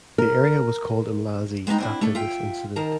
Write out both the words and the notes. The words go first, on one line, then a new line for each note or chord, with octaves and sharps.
The area was called Umlazi after this incident.
A#4
G#3 B3 D4 D#4 G5
C4 D4 E4
A3 D4 A4
F4 E5 G5
D#3 A#4 A5